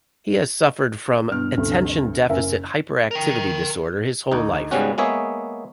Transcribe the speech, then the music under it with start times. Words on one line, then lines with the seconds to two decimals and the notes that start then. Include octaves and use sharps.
He has suffered from Attention Deficit Hyperactivity Disorder his whole life.
1.31 G2 B2 F6
1.57 D2 G2 C3 A3
2.29 F#1 C#4 A#4 E5
3.11 A#4 G5
4.32 D2 D#4
4.71 G#2 C#3 G3 B3 C#4 F#4
4.98 G#3 A#3 B3 G#4 C#5 E5